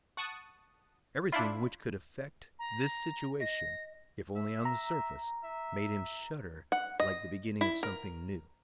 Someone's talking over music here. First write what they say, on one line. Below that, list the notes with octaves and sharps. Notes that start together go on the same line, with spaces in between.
Everything which could affect this situation, if only on the surface, made him shudder like the beginning of something new.
F#5 A5 C#6 D#6
D4 E4 F4 E5 B5 C6
A#5
D#5 A#6
E5
A#5
E5
F#5
D#5
E4
A#4